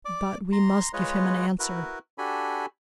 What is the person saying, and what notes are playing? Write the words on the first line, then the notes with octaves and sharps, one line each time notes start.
"But we must give him an answer."
D5 D6
A#5 C6
G#3 F4 B4 C#5 D#5
E4 F#4 A#4 B4
D4 F#4 G4 A4 G#5 B5